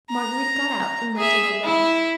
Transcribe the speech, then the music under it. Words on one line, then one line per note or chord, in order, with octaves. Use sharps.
Marguerite got out and went in alone.
A#5
G#4 E5
E4